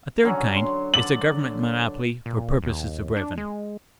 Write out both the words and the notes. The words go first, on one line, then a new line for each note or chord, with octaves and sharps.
A third kind is a government monopoly for purposes of revenue.
D3 F#3 C#4
C6
D3 D5 F#7
A#2
D#2
D4
G#3